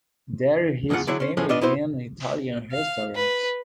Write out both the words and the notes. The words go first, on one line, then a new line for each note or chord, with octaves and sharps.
There his family ran Italian restaurants.
E2 G#2 C#3 F3 F4 F#5
D3 F#3 E4 G#4 C#5
C#4 C5
F#2 A2 F3 G#3 A3 C#4
B3 D4 F4 D#5
B3 E4 F#4 C5
F5
B4